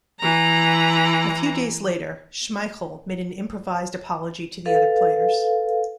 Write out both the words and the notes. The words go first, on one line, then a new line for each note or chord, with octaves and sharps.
A few days later, Schmeichel made an improvised apology to the other players.
E3 A#5
A4 B4 F5